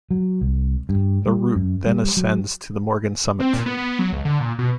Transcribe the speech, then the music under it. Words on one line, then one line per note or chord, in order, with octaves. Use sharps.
The route then ascends to the Morgan Summit.
F#3
C2
G2
G3
F#2
G3
F#3
C4
A#2
B3
B3
F#3
C#2
D3
A#2
B2